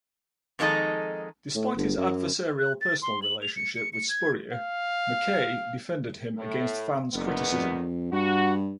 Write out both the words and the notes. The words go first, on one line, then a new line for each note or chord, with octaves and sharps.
Despite his adversarial personal relationship with Spurrier, McKay defended him against fans' criticism.
F2 D#3 G#3 D#4 A4 D#5
A2
G1
F#2
F#6
A6
C6
F#7
F7
C#7
C#7
C#7
G#6
F5
A2 A3
F#1 E2 D#3 B3
F2
G2 F#4